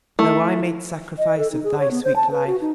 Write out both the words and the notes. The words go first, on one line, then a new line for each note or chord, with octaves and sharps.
Though I made sacrifice of thy sweet life.
A3 E4
D#5
A4
D#4
G#4
C#5
B3
C5
A5
B4
F#4
D#4